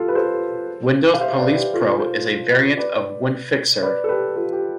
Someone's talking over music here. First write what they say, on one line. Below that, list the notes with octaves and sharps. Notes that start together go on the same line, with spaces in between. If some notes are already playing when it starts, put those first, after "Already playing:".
Windows Police Pro is a variant of WinFixer.
Already playing: F4 G4 A4
B4
A4 C5
F5
C5 E5
B4 D5
G4
F4 A4
A4 C5
B4 D5
B4 D5
A4
G4 B4
F4 A4
G4